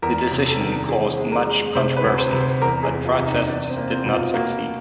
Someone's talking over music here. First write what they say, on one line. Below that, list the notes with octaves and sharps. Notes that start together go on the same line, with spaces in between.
The decision caused much controversy, but protests did not succeed.
E2 A#4
C3
A4
D#3
E3 G#4
G#3
A#4
G#3
C3 C5
B4
D2
C5
C3
C5
E2 A#4
G#4
E2
F4
C3
D#4
E2 D4
C4
A#3
C4
B2
F4
A#3 F#4